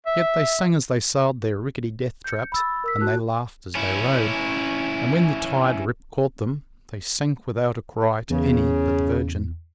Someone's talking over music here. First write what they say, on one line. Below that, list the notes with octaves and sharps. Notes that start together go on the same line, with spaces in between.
Yet they sang as they sailed their rickety death-traps, and they laughed as they rowed; and when the tide-rip caught them, they sank without a cry to any but the Virgin.
E5
G6 C#7
B5 E6 A6
A#4 E6 B6
F#4 A5 F#6
C#4 E4
E2 C#3